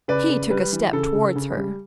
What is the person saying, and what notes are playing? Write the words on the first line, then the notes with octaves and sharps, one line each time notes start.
He took a step towards her.
C#3 B4 D5
C#3
G3 B4
E3
C#3 A4
C#3
C#3
G3